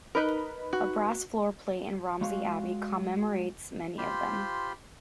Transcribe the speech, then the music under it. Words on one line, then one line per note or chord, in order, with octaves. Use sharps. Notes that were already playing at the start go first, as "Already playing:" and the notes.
A brass floor plate in Romsey Abbey commemorates many of them.
D#4 A#4 B4 D#5 B5
F#4
G#3 F#4 F5
F4 G4 C5 B5 C6